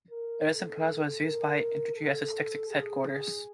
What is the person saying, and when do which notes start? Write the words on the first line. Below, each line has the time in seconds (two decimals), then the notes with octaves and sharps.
Edison Plaza was used by Entergy as its Texas headquarters.
0.11 A#4
0.47 A4
1.21 A#4
1.94 A4
2.68 G#4